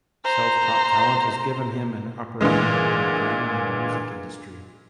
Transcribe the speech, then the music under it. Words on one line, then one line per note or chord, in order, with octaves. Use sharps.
Self taught talent has given him an upper hand in the Ghanaian music industry.
C5 A#5
A#2 D3 E3 G#3